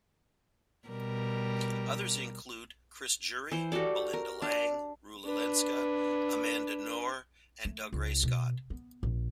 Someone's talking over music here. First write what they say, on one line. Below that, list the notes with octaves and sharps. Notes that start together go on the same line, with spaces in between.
Others include Chris Jury, Belinda Lang, Rula Lenska, Amanda Noar and Dougray Scott.
B2 G3 A#4
E3 C5
F#4 G4 A4 D5
A#4
D4
D4 B4
A3
C#2
B2
B3
A#1